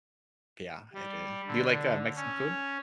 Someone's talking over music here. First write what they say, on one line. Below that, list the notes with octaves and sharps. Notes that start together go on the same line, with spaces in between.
Yeah, it is. Do you like, uh, Mexican food?
G3
D3
C#4